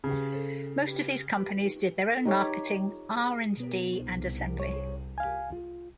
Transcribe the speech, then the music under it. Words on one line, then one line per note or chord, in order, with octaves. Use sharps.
Most of these companies did their own marketing, R and D and assembly.
C#3
D#4 G4 C#5
B2 B3
C2
C#5
F5 G#5
F4